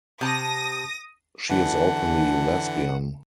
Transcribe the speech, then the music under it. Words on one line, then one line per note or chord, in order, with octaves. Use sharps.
She is openly lesbian.
C3 A5 D#6 A#6
D3 E3 F#5 A5